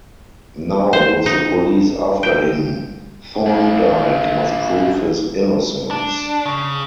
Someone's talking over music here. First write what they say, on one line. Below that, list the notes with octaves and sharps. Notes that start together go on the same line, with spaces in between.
Now with the police after him, Thorndyke must prove his innocence.
C5
D#4
G5
D4 F4
D4
C#3